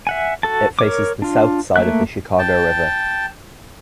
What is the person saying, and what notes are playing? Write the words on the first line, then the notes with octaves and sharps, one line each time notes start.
It faces the south side of the Chicago River.
E5 F#5 G#5
F#4 A4 A5
A#4 C#5 D6
D4 F4
A3 A#3 E5 F#6
G5 A5